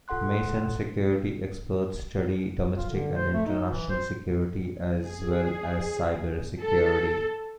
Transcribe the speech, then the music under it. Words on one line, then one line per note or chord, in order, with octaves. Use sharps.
Mason's security experts study domestic and international security as well as cyber security.
F4 A4 F#5 C6 F#6
F4
D3
C5
A3
D#4
E3
C5
G#4
A4